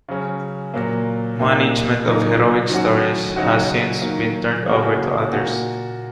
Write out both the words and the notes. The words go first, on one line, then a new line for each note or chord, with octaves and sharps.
Management of "HeroicStories" has since been turned over to others.
C#3 F#3 C#4
A#2 F#3 A#3
A#2 A#3 D#4
C#3 F#3 D#4
D#3 F#3 C#4 F#4
C#3 F#3 D#4 F#4
D#3 F#3 A#3
C#3 A#3 C#4 F#4
A#2 A#3 F#4